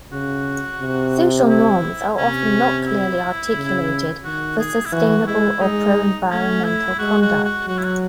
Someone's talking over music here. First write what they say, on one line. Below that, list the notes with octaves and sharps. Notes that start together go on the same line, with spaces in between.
Social norms are often not clearly articulated for sustainable or pro-environmental conduct.
C#3 F#4
C3
E4
C3 C#4
E4
C#3
D#3 F#4
G#4
E4
E3 F#4
G#3 E4
G#3 D#4
A3 C#4
E4
G#3 F#4
F#4
F#4
F#3 F#4
E4
F#4